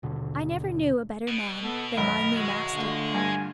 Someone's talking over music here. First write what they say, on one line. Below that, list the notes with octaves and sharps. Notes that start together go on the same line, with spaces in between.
I never knew a better man than my new master.
D#1 B2 D3
B2
B3 A4
B1 F#2 D#3 A#4 B5
G#3 F#4
D3 A3 F4
G2 G#5